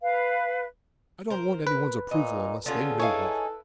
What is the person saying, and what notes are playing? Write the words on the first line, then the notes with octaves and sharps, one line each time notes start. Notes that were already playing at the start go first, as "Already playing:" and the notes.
I don't want anyone's approval unless they know why.
B4 F5
A#4 C5
B4
A#2 D#4
D3 B3 C#4 F4 G#4 A4
D#4 E4 G#4 B4 C#5 F5